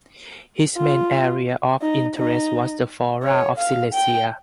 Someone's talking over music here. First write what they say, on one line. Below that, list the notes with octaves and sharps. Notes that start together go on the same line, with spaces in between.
His main area of interest was the flora of Silesia.
F4
D#4
D#4
C#5
F5
G5